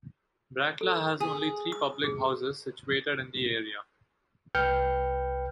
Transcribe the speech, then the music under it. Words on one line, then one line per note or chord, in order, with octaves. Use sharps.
Brackla has only three Public Houses situated in the area.
A4
G#4
D#6
G#4
C2 B4 G5 F6 G6 C#7